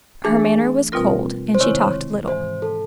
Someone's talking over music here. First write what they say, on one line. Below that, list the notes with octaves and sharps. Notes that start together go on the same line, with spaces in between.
Her manner was cold, and she talked little.
E3 A3 D4 G#4
B2 G3 C4 F4 A#4
C5
C3 D#3 G#3 C4 E4 C#5
G#2 E3 G#3 C5
A4